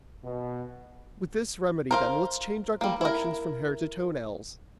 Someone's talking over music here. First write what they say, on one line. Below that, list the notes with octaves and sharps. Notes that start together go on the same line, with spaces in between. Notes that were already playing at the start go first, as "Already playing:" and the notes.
With this remedy, then, let's change our complexions, from hair to toe-nails!
B2
A#4 C5 F5
G3 A#3
E4 A#4